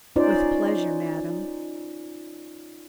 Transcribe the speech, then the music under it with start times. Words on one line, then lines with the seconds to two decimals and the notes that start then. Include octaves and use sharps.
"With pleasure, madam."
0.16 C#4 D#4 F4 C5 D5